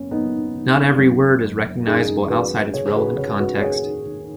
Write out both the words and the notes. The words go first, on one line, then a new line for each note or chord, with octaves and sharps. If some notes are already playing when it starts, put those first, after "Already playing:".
Not every word is recognizable outside its relevant context.
Already playing: F#1 B3 C#4
F#1 B3 D#4
D#3
F#2
F#1
F#1 D#4 G#4
D#3 F#4 B4
C#3 G#4 C#5
G#4
F#4 B4
C#3 G#4 C#5
F#4 B4
D#2 G#4 C#5
D#2